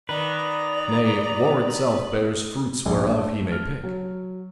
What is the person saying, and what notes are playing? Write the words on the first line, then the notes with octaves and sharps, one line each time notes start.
Nay, war itself bears fruits whereof he may pick.
D#3 B4 D5 A#5
A#1
A3
F6
F#3